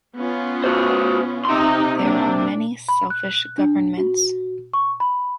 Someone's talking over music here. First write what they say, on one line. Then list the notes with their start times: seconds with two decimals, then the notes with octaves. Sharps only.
There are many selfish governments.
0.18 B3 C#4 F4
0.64 F#4 C5
1.45 C3 D#4 C6
1.99 A#3 D4
2.89 B5
3.10 F#6
3.58 D4
3.98 F#4
4.74 C#6
5.00 B5